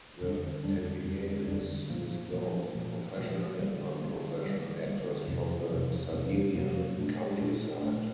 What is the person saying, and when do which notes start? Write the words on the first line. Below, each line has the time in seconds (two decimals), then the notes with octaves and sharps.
The Tavianis used both professional and non-professional actors from the Sardinian countryside.
0.21 F2 D3 G3 D4
0.63 F2 D3 G3 D4
1.05 F2 D3 G3 D4
1.47 F2 D3 G3 D4
1.90 A#2 F3 A#3
2.32 A#2 F3 A#3
2.74 A#2 F3 A#3
3.17 A#2 F3 A#3
3.59 D3 G3 A#3
4.01 D3 G3 A#3
4.43 D3 G3 A#3
4.86 D3 G3 A#3
5.27 F2 C3 F3 A#3
5.70 F2 C3 F3 A#3
6.12 F2 C3 F3 A#3
6.54 F2 C3 F3 A#3
6.97 A#2 A3 D4
7.39 A#2 A3 D4
7.81 A#2 A3 D4